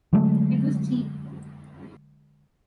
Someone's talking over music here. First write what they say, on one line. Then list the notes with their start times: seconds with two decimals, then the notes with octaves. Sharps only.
It was cheap.
0.13 D3 F#3 G#3 A3